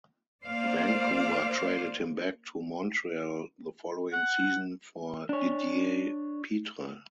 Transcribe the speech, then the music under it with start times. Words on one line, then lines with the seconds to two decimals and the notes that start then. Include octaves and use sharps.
Vancouver traded him back to Montreal the following season for Didier Pitre.
0.45 A#3 C5 D5 F5
4.13 F#5
5.29 D4 C#5